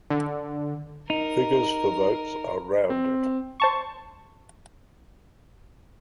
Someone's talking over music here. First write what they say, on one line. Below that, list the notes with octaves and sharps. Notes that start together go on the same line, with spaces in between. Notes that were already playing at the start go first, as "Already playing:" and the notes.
Figures for votes are rounded.
D3
D#4 A#4
C4
C5 A5 C#6